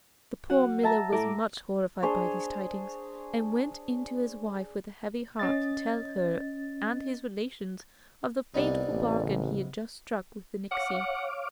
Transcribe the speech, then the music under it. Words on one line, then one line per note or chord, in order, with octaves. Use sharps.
The poor miller was much horrified by these tidings, and went in to his wife with a heavy heart to tell her and his relations of the fatal bargain he had just struck with the nixy.
F#3 F#5
E5 A5 A#5
A2 A3 E5 A#5 D6
D4 G#4 C5 C#5
C#4 D#5 A6
C2 C3 B3 D#4 D5
A1
C#3
C#5 F5 F#5 D6